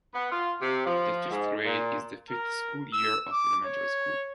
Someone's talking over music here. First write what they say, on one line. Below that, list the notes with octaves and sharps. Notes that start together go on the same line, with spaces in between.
The fifth grade is the fifth school year of elementary school.
B3
F4
C3
F3
G#2
A#2
A#4
E6
D6
C#5